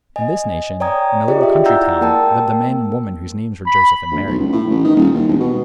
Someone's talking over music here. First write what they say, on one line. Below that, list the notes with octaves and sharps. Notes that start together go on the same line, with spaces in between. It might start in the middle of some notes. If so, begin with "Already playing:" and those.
In this nation, in a little country town, lived a man and a woman whose names were Joseph and Mary.
D#5 G#5
C#5 D5 G5 A#5 D#6 G#6
F4 G4 G#4 D5 D#5
E5 G5
E4 D5 F#5 A#5 E6 G6
A#3 A#4 G5 A5 E6
B5
D2
B1
C#2
A2
A1
D#3
D#1
D#2
E1
B2